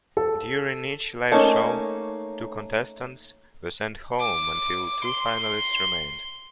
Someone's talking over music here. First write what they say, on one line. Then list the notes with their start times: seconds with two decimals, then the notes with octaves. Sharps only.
During each live show, two contestants were sent home until two finalists remained.
0.17 A4
1.32 A3 A#3 C#4 D#4
4.19 D6
5.04 C6